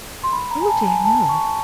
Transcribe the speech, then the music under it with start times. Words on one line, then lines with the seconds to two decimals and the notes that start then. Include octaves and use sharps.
'Oh dear, no!
0.23 C6
0.32 B5
0.51 A#5
0.61 G#5
0.68 A5
0.87 G#5
1.05 A5
1.29 C#6